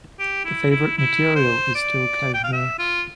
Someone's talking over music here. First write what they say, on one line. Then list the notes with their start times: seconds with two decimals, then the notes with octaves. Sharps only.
The favourite material is still cashmere.
0.19 G4
0.45 E4
0.71 E4
0.98 E4
1.36 C5
1.75 D5
2.34 G5
2.44 F5
2.53 E5
2.79 F4